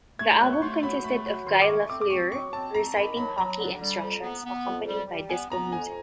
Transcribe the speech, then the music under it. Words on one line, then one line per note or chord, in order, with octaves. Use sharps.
The album consisted of Guy Lafleur reciting hockey instructions, accompanied by disco music.
A3 G#6
G6
F#3 F#6
C#6
A3 C6
F#3 B5
A3 B5
F#3 B5
D#3 C6
D6
A3 C#6
C4 D6
D6
C4 C#6
F#3 C#6
C4 A5
C4 A#5
D#3 B5
F#3 B5
F#3 A#5
D3
G3
F2
B3
B3
F2
G3
G3
B3 G#5
B3 A#5
F2 G#5